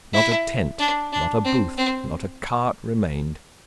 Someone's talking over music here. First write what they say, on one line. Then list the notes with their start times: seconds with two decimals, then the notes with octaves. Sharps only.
Not a tent, not a booth, not a cart, remained.
0.13 E4
0.79 D4
1.12 D4
1.45 C4
1.77 C4